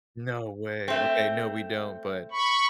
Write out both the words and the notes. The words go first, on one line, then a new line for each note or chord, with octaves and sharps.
No way. Okay, no, we don't, but
A3 C4
B5 C#6